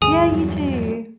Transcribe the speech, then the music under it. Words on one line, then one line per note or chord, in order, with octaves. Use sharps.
Yeah, you too.
D2 G2 G#4 G#5 D#6
E2 G2 F#3